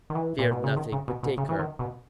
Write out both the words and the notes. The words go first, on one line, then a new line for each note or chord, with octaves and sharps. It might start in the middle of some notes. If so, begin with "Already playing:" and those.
'Fear nothing, but take her.'
D#3
E3
A#2
B2
C#3
D#3
C#3
B2
B2
C#3
E3
D#3
B2